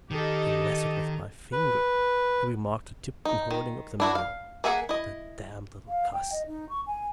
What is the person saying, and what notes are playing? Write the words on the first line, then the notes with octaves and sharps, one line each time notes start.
"He rastled with my finger," he remarked to Tipton, holding up the member, "the damned little cuss!"
D#3 G4 A4 D#5
B4
D#4
D#3
D4 E4 F#4
F5
A#3 G#4 E5 F#5 G#5
E4 D#5
F5
G5
D#5
D#4
C#6
G#5